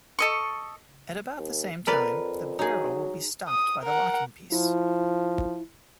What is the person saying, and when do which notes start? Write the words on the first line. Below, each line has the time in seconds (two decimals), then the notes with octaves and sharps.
At about the same time, the barrel will be stopped by the locking piece.
0.19 A4 D#5 C#6
1.38 D#2
1.87 F2 A#4 B4 D5
2.59 F#3 D#4 G#4
3.48 D#6
3.83 A#4 F#5
4.52 F3 E4